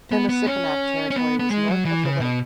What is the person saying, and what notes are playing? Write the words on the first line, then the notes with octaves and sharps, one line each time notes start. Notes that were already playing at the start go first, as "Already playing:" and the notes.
Pimicikamak territory was north of the lake.
B3
B3
C#4
C#4
B3
B3
G#3
F#3
E3
C#3
B2